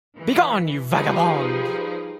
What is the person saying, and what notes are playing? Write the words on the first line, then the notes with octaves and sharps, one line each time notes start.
Begone, you vagabond!
E3
F3 G3 D#4 G#4 B4